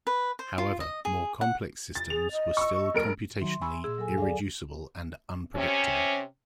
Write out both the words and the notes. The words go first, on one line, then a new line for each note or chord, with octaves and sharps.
However, more complex systems were still computationally irreducible and unpredictable.
B4
C5
F4
D#5
G#4
F#5
A6
G#4 F7
D#5
C#6 E6
F#1 A#4 D7
D#3 F#3 E5 C6
G#5 B5 C#6 E6
A#2 G#4 E6
F#3 A4 G#5
D2 G#4 D5 F5
C3 C#4